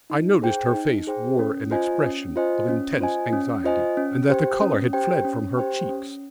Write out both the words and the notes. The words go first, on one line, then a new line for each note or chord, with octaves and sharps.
I noticed her face wore an expression of intense anxiety and that the colour had fled from her cheeks.
D#4
G#4 C5 G5
D#4
G#4 C5 G5
C#4
F4 C5 D#5 G#5
C#4
F4 C5 D#5 G#5
C#4
F4 C5 D#5 G#5
C#4
F4 C5 D#5 G#5
C#4
G4 C5 G5
C#4
G4 C5 G5
C#4
G4 C5 G5
C#4